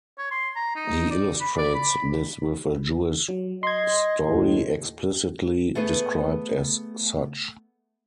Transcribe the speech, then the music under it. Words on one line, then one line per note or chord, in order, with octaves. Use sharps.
He illustrates this with a Jewish story, explicitly described as such.
C#5
C6
A#5
D#4
D5
B5
D5
B5
F#3
D#5 C6 G#6
D#2 A2
A3 B3 G#4 B4